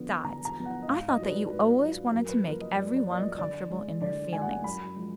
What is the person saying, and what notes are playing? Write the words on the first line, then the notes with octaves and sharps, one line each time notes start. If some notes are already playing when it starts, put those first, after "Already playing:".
Besides I thought that you always wanted to make every one comfortable in her feelings.
Already playing: D3 F3 B3
D3 A#5
A#5
F3 B3
F#5
D#5
G#2 F5
D#5
F#3 D4 F4 B4
D5
G#2 B4
F#3 D4 F4
F#2 A#4
B4
F3 A#3 A#4
D#5
F#2 D5
D5
F3 A#3 D5
D#5
D3 D5
G#3 D4
D3 D5
G#3 D4 G#5
F#5
G#5
F#2 B5
F3 G#3